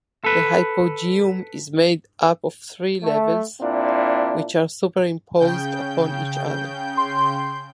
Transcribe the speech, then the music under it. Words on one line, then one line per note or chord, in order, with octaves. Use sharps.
The Hypogeum is made up of three levels, which are superimposed upon each other.
A4 B4
A3
A#2 C4 D4 E4
C#3 G5 G6
C6